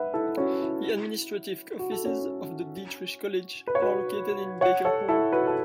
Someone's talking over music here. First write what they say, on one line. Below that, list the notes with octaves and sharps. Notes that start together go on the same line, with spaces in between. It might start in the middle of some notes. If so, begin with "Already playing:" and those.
The administrative offices of the Dietrich College are located in Baker Hall.
Already playing: B4 E5 F#5
E4 A4
C#4 F#4
E4
F#4
A4
C#4 F#4
B4
C#5
F#4 B4
C#5 F#5
A4 C#5
E4 A4
F#4 B4
A4